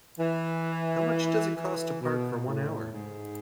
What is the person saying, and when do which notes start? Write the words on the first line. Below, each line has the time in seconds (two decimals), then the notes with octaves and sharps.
How much does it cost to park for one hour?
0.20 E3
1.56 E3
2.02 B2
2.47 A2
2.93 G#2